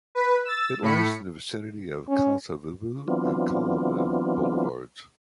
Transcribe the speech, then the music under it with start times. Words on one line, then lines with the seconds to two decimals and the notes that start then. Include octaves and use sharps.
It lies in the vicinity of the Kasa-Vubu and Kalamu boulevards.
0.15 B4
0.45 E6 A6
0.82 A2 B5 C#7
2.08 C#4
3.08 E3 F#3 B3 C4 D4 F4